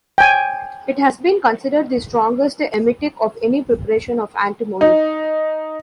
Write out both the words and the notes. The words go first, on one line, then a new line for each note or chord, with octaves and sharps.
It has been considered the strongest emetic of any preparation of antimony.
G5 G#5
D#4